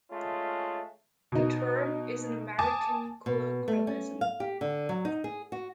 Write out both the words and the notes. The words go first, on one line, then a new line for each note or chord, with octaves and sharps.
The term is an American colloquialism.
G#3 A3 C#4 F4
B2 D#4
G#5 A5 D6 D#6 A6
B2
A3
C#4
F5
G4
D3
F#3
D#4
G#4
F#4